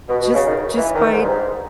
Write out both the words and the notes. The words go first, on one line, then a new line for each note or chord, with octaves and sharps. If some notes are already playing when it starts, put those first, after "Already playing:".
just just by, d
B2
B2
C#3
D#3
E3
D#3
G#2
G2
G#2